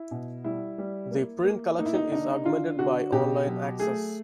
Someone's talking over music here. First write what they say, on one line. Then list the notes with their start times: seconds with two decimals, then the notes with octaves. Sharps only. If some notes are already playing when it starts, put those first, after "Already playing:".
The print collection is augmented by online access.
Already playing: E4
0.11 B2
0.44 G3 E4
0.78 G3
1.11 A#3
1.44 A#3
1.78 A#3 D#4
1.86 E4
1.94 D#4
2.12 D3 D#4
2.45 D3 F4
2.79 D3 F#4
3.12 B2 G4
3.46 F#3
3.79 A3 G#4